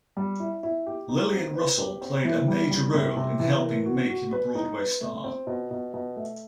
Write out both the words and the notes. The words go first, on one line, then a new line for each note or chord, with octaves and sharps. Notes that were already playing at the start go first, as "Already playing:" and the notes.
Lillian Russell played a major role in helping make him a Broadway star.
G3
E4
E4
G4
D#4
C4
B4
G4
C4
E3
G3
G3
C3
C3
E3
A#3
F#4
F#4
B4
D#4
B4
A3
C4
B2
B2
B2
A3